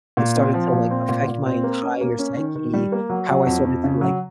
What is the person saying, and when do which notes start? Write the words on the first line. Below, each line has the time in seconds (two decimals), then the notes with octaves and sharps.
it started to, like, affect my entire psyche, how I started to, like,
0.17 A#2
0.36 C4
0.54 F3
0.72 A#2
0.91 C4
1.09 A#2
1.28 A#2
1.46 C4
1.64 A#3
1.82 C#4
2.01 A#3
2.19 C#4
2.37 D#3
2.55 D#3
2.73 G3
2.92 A#3
3.09 F#3
3.29 F#3
3.46 F2
3.65 F2
3.84 C#3
4.01 F#3